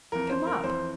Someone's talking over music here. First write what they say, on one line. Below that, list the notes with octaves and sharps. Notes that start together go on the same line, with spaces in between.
Come up.
F2 E3 A#4
C5
A#4
F2 E3 C5